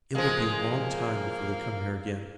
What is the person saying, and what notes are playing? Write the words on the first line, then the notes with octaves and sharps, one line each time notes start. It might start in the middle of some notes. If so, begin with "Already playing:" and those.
It will be a long time before they come here again.
F3 G#3 A#3